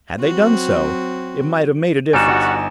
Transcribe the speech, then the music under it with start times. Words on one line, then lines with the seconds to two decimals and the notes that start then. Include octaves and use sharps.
Had they done so, it might have made a difference.
0.21 F#3 C4 F#4
2.13 G1 G3 D#4 F#4 G#5 A#5 E7